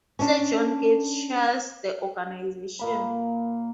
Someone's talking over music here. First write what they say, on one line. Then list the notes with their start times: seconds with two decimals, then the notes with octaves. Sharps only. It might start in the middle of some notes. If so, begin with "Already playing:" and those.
Sir John Gieve chairs the organisation.
0.19 C#4 D4
2.79 A#2 A#3 B5